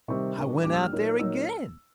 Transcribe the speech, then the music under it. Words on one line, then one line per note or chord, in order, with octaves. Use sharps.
I went out there again.
C3 D#3 G3 C4 D#4 C#6
A#2 G3 A#3 D4
A#2 G3 A#3 D4 D6
E6
F6
A#2 F#3 A#3 D#4
A#2 F#3 A#3 D#4 E6